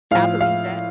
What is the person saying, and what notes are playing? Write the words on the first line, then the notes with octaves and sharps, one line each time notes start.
I believe that.
A2 F3 F5
F5